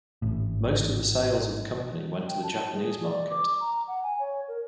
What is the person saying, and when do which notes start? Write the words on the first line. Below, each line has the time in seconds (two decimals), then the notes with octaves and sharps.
Most of the sales of the company went to the Japanese market.
0.22 G#1 A2
2.28 G5
2.43 A5
2.74 G#4
3.03 D5
3.30 D6
3.60 A#5
3.88 F#5
4.03 G#5
4.20 C#5
4.48 A#4